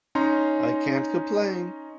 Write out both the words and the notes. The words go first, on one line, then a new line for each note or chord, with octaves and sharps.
I can't complain.
C#4 D#4 A#5 C6